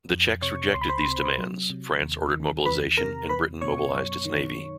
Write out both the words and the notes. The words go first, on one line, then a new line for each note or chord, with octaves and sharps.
The Czechs rejected these demands, France ordered mobilization and Britain mobilized its Navy.
F2
C3 C#5 C#6
C#2 C6
B5
C5 C6
C3
F#3
C3
D#2
D#3
E2 B4 B5
C3 A#4 A#5
E2 B4 B5
B2 C#5 C#6
F#2
D#3